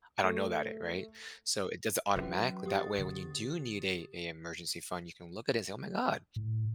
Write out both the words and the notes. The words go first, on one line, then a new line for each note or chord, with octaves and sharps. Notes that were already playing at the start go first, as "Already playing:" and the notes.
I don't know about it," right? So it does it automatically. That way, when you do need a an emergency fund, you can look at it and say, "Oh my god.
A3
E3 F#3 C#4 F#4 B4
G4 D#6 A6
D3
A2